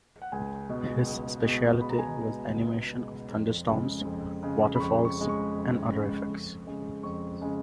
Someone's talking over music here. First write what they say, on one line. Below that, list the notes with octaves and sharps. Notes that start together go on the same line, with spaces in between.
His specialty was animation of thunderstorms, waterfalls and other effects.
F#5
C#2 G#5
B2 G#3
C#2
B2 G#3
C#2 B5
A#5
G#5
A#5
B2 G#3
C#2
B2 G#3
F2
C#3 G#3
F2
C#3 G#3
B5
F2 C#6
C#6
C#3 G#3
C#6
F2
C#3 G#3
F2
C#3 G#3
F2 C#6
C#3 G#3